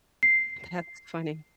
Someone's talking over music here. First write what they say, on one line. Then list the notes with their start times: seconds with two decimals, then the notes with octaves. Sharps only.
That's funny.
0.23 C7